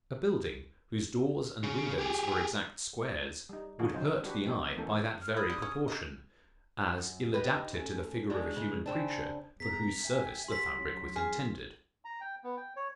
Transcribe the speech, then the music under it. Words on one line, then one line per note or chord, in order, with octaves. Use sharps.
A building, whose doors and windows were exact squares, would hurt the eye by that very proportion; as ill adapted to the figure of a human creature, for whose service the fabric was intended.
C#3
G4 G#4
G3 D#4
D3 E3 F4 F#4 G#4
D3 F#3 C4 D#4 C5
G3 D4 F#4 G4 B4
F#3 A#3 B3 D4 D#4 G4
E3 A3 A#3 C#4 A4
F6
E4 D#6
G3 D4 E4
C#4
C#4 D#5
F#2
D#4 G4 B4
A3 C#4
F#3 G#3 D4
G#2 C#3 G#3
C#3 C4 D4
C2 F#2 B3 G#4 A#5 B6
E5 G5 G#5
F#3 E4 G4 C6 B6
C#4
G#4 F5
A#5
G5
B3
G5
C#5